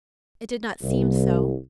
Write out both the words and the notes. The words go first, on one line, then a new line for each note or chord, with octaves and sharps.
It did not seem so.
C2